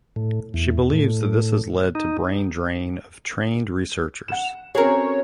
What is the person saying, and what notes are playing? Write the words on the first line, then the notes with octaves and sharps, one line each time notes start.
She believes that this has led to brain drain of trained researchers.
A2
E2
A2
D#4
F#5 E7
C4 C#4 F#4 G#4 A#4 C#5